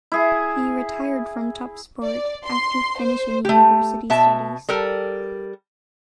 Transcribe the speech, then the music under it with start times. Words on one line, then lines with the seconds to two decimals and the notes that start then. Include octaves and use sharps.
He retired from top sport after finishing university studies.
0.12 E4 G#4
2.05 D5
2.47 C6
3.00 C5
3.45 A3 G4
4.10 B2 E5 A5
4.69 G3 A4 A#4